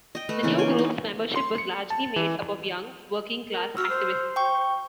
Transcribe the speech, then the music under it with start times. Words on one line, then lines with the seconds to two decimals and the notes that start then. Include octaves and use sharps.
The new group's membership was largely made up of young, working class activists.
0.15 D#5 G5
0.29 A3 B4
0.43 C#3 E3 A#3
0.58 C5 C#5 G5 G#5
0.79 D#4
1.36 C6
1.58 C#7
1.90 A5
2.16 E3
3.50 A#4
3.77 F#4 E6 F6
3.89 C5
4.36 G5 C#6